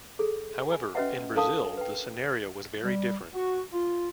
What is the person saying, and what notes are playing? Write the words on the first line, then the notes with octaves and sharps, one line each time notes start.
However in Brazil the scenario was very different.
G#4 A4
G#5
C#4 F#4 B4 D#5 E5 F#5
D4 A4 A#4 F5 A5 D#6
B4 G5
G3
F#4
F4